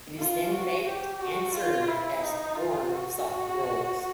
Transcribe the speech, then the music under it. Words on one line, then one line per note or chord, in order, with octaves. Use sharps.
It is then baked and served as warm soft rolls.
F4
F#4
G4
F#4
F4
E4
D#4
F4
F#4